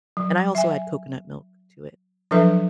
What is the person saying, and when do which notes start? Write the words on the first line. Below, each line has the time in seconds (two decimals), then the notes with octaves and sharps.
and I also add coconut milk to it.
0.17 F#3
0.55 E5 G#5
2.31 F3 F#3 D4 A4 B4 E5